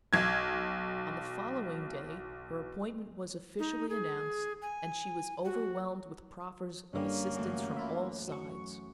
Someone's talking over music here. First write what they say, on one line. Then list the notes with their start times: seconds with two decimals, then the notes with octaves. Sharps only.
On the following day her appointment was officially announced, and she was overwhelmed with proffers of assistance from all sides.
0.13 B1 G#6
3.59 D#4
3.90 G#4
4.62 G#5
5.45 F#4
6.94 G2 D3 G3 A#3 C#4
7.35 F#2 E3 A3
7.77 E4 F4 E5
8.28 F#3 C#6